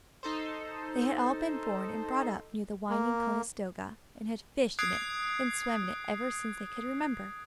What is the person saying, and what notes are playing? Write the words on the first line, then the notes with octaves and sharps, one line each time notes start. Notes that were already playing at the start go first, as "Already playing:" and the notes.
They had all been born and brought up near the winding Conestoga, and had fished in it and swam in it ever since they could remember.
D#4 A4 C5
A#3
D#6 F#6 G#6 C7 D7